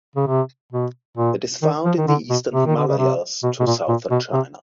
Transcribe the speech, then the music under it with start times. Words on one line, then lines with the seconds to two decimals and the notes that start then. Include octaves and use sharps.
It is found in the eastern Himalayas to southern China.
0.16 C#3
0.28 C3
0.73 B2
1.18 A#2
1.63 D#3
1.85 F3
1.98 D#3
2.08 D3
2.30 B2
2.54 C3
2.66 D#3
2.77 D3
2.87 C#3
2.98 C3
3.43 B2
3.60 B2
3.66 A#2
3.88 A#2
4.11 B2
4.33 C3